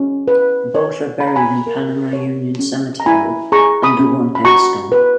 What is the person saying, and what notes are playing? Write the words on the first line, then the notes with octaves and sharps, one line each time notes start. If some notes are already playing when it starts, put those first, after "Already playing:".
Both are buried in Panama Union cemetery under one headstone.
Already playing: C#4
B4
C#5
C#5 B5
A#5
G#5 B5
A#4
C#5
C#4
A#5
E4 G#5 B5
G#4 A#5 C#6
B5 D#6
C#4
B5
F#4 A#5 C#6
B4